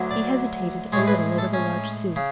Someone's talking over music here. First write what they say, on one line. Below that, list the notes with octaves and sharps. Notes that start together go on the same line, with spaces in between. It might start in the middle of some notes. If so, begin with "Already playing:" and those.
He hesitated a little over the large sous.
Already playing: D2 D3 F#3
D5
A2 G#3 C#5
B4
A4
C#4
C#3